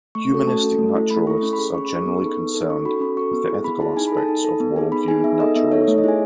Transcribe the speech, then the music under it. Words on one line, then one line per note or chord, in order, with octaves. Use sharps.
Humanistic naturalists are generally concerned with the ethical aspects of worldview naturalism.
A3 C#6
C#4 F#4 A4
A3 A5
C#4 F#4 A4
A3
E4 A4
A3 B5
E4 A4 C#6
C#4 B5
B5
G#4
C#4 C#6
B5
G#4
C#6
B3
D#4 A4
B3
D#4 A4
C#4 C#6
F#4 A4 B5
C#4 B5
F#4 A4 C#6
B3
E4 G#4
B3 B5
E4 G#4 A5
D#4 G#5
B5
A4
A5
D#4
A4
B3
D#4 G#4
B3 B5
D#4 G#4 G#5
B3 E5
D#4 A4 D#5
B3 E5
D#4 A4 C#5
A3 C#5
D#5
E4 G#4 G#5